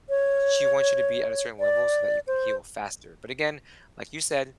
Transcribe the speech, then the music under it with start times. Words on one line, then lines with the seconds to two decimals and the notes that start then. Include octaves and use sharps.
she wants you to be at a certain level so that you can heal faster. But, again, like you said,
0.09 C#5
1.59 D5
2.27 C5